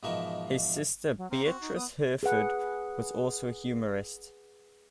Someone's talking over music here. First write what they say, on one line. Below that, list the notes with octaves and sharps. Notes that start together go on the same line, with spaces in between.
His sister Beatrice Herford was also a humorist.
G#2 B2 E3 F3 A#4 C#6
F#3
A#3 C4 A#4
C4 F#4
D#4
B3 D#6
G#4 B4 F#5